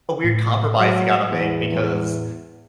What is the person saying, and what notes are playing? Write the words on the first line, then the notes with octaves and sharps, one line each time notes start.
a weird compromise you gotta make because,
A2
F#3
E2
E2